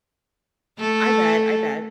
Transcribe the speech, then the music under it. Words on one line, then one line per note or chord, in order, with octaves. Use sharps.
I bet, I bet.
A3 A4